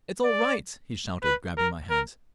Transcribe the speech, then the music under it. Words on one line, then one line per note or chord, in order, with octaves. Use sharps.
"It's all right!" he shouted, grabbing my hands.
D5
B4
A#4
A#4